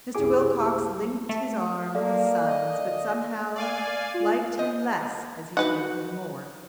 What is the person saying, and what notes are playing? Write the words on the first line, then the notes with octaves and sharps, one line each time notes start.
Mr. Wilcox linked his arm in his son's, but somehow liked him less as he told him more.
C2 F#2 E4 G4 G#4 D6
A3
A#3 A4 D5 F5
D#5
D5 F5 G#5
F4
C5 D#5
D#4 F#4 B4 F#5